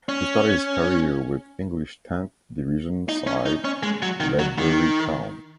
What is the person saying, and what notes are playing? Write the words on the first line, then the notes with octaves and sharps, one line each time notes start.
He started his career with English tenth division side Ledbury Town.
C#4
D#4
C#4
D#4
C#4
G#3
F#3
D#3
F#3
D#3